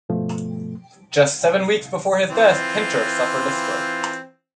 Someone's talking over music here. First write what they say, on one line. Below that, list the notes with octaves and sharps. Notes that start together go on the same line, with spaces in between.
Just seven weeks before his death, Pincher suffered a stroke.
G2 B2 F3 A3
E3 C4 F4